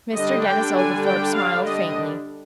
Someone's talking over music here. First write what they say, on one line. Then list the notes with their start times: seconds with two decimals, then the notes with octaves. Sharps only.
Mr. Denis Oglethorpe smiled faintly.
0.16 D3 G3 D4 D#5
0.46 G5
0.76 G#5
1.07 G5
1.36 F5
1.67 D#5